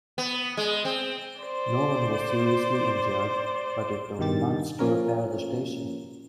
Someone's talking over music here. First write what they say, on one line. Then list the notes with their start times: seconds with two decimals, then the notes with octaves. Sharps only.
No one was seriously injured, but it took months to repair the station.
0.18 B3
0.57 G#3
0.85 C4
1.41 C5 D5
4.19 G2 B2 D#3 G4 A6
4.79 F3 A#3 C#4 A#4